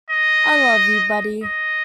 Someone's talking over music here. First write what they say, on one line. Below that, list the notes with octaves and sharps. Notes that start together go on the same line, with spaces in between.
I love you, buddy.
D#5
D#5